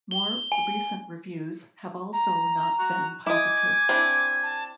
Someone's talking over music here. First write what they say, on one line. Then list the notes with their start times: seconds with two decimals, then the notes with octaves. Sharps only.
More recent reviews have also not been positive.
0.11 G7
0.52 G#5
2.13 A#5
2.79 F#4
3.27 E4 D#5 G#5 D6
3.89 C4 D4 E4
4.43 A5